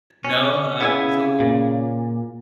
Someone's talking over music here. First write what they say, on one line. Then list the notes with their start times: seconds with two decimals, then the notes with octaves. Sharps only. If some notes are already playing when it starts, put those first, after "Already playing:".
No, um, so
0.25 C#4
0.81 C#3 B3 E4 G#5
1.40 A#2